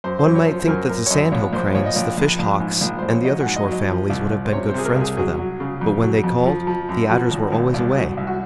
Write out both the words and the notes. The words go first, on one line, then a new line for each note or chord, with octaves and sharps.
One might think that the Sand-Hill Cranes, the Fish Hawks, and the other shore families would have been good friends for them, but when they called, the Adders were always away.
F#2 C5
C5
F#2
C#5
F3 C5
C5
F#2 A#4
F#2 A#4
C#5
F#2 D#5
A#1 C#5
A#1 C5
A#1 C#5
D#5
A#1 C#5
A#1
A#1
G#2
A#1
A#1 C5
C#5
F#3 D#5
G#2 F#5
D#5
F#3
D#5
F3
C2
C2
C5
C3 C#5
C5
C3 G#4
A#4
C2
G#4
F#3 G#4
F#3
C#3
F2
F#3
F2
F3
F3
F#2
F3 F#4
G#1
G#1
C2
F#3
C2
F#4